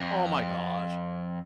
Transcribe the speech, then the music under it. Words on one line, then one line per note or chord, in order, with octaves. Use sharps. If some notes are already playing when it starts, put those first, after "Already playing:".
Oh my gosh.
F2